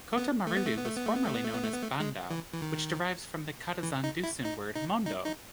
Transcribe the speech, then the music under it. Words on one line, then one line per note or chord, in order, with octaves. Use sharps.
Kota Marudu was formerly known as 'Bandau', which derives from the Kadazan-Dusun word 'Mondou'.
B3
A3
B3
A3
B3
A3
B3
A3
B3
A3
B3
A3
B3
A3
B3
A3
G#3
E3
E3
D#3
E3
D#4
E4
D#4
D#4
D#4
D#4